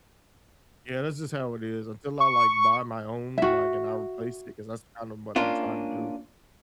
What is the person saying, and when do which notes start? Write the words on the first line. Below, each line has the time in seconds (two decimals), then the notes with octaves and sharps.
yeah, that's just how it is, until I like buy my own, like, and I replace it, 'cause that's kind of what I'm trying to do,
2.20 C#6
3.38 F#4 E5
5.36 A#3 C#4 D4 F4